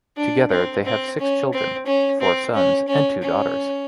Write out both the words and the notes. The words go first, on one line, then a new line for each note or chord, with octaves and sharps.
Together, they have six children; Four sons and two daughters.
D4
C4
C4
C#4
C4
C#4
C4
C#4
C#4
C#4